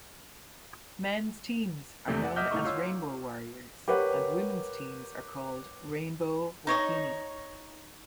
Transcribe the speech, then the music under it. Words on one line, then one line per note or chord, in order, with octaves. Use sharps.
Men's teams are known as Rainbow Warriors, and women's teams are called Rainbow Wahine.
E2 C3 A3
D5 F#5
D#5 E5 F#5 D6 F6 G6
G1 A3 D#4 E4 C#6
F4 C#5 E6
G4 A#4 B4 C#5 F#5
D#4 C#5 D#5